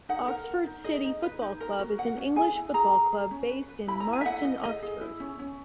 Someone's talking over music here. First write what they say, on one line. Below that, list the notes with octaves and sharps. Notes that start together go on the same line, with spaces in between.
Oxford City Football Club is an English football club based in Marston, Oxford.
D#4 F#5
A#4
A#4
D#4
G#4 D#5
D#4
B4
D#4
A#4
F#4
A#4 F#5
C#4
G#4 G#5
E4
G#4 A#5
G#4
G#4
C#4
B4
B4
E4 B5
A#5
E4
G#5
E5
E4 F#5
E4 D#5
G#4 D#5
G#4
E4
C#4
C#4